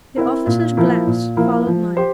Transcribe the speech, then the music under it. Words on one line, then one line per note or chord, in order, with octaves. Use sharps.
The officer's glance followed mine.
C4 E4 A#4
A#2
F3 A#3 E4
A#2
F3 A#3 E4
F3
G4 C5